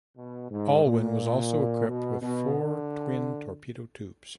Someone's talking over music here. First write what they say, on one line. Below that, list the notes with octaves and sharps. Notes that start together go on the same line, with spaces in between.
"Aylwin" was also equipped with four twin torpedo tubes.
B2
G#2
A#2
B2
B2
D3